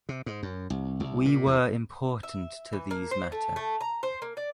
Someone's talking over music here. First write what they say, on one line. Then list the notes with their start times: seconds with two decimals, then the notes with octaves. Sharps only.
We were important to these matter.
0.09 C3
0.26 G#2
0.43 F#2
0.70 C2
1.00 C2
1.26 A#2
1.47 E2
2.23 E5
2.73 E3
2.91 A#3
3.11 C5
3.32 A3
3.56 A3
3.81 A#5
4.03 C5
4.22 A#3
4.37 D5